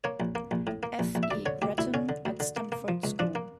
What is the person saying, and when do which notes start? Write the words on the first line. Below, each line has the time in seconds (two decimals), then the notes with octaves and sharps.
F. E. Gretton at Stamford School.
0.04 A#3 C#5
0.20 A#1
0.35 A#3
0.51 A#1
0.67 A2
0.83 A#3
0.99 A#1
1.15 A#1
1.23 E5
1.31 D2 D5
1.46 D3 C#5
1.62 D2 G4
1.78 D2 E4
1.94 D3 C#4
2.09 D3
2.25 D2
2.40 D3
2.57 A#3
2.72 A#3
2.88 F3
3.04 C#2
3.19 F3 D4
3.35 A#3